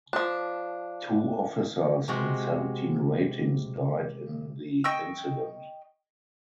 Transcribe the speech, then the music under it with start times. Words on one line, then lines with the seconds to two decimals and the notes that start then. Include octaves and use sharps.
Two officers and seventeen ratings died in the incident.
0.13 F3 D4
2.08 C3 G#3 F#4
4.84 D#5 G5 C#6 E6